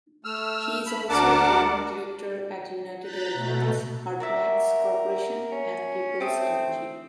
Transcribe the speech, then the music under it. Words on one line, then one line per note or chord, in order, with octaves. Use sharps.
He is also a former director at United Airlines, Hartmarx Corporation and Peoples Energy.
A3 E6 F6
B5
D2 D4 A#4 F#5 A5 D6
A#5 F#6 G6 A6 B6
B2 A3
F#4 A#4 D5 E5
C#4
A3 C4 D#6